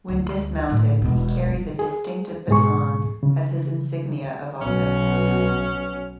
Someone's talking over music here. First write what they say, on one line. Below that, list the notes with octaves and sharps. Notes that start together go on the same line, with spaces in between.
When dismounted he carries a distinctive baton as his insignia of office.
D2
A2 D#3
E1 B2
G2
G#4
G#2 B2 G#4 C#6
C#3
B1 B2 C#4